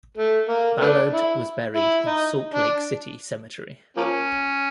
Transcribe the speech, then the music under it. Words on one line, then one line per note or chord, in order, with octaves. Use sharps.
Ballard was buried in Salt Lake City Cemetery.
A3
A#3
A3 B3 D4
E4
E4
D#4
D4
F3 A#3 C#4